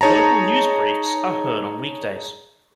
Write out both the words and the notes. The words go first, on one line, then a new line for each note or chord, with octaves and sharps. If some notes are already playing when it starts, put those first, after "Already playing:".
Local news briefs are heard on weekdays.
D#4 G#4 C#5 A5 A#5